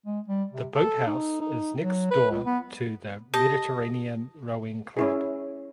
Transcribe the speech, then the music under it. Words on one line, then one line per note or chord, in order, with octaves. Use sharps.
The boathouse is next door to the Mediterranean Rowing Club.
G#3
G3
C3
A4
D#4
D#4
F#3
B4
C#2
B3
G4 D#5 A5
C#4 E4 G#4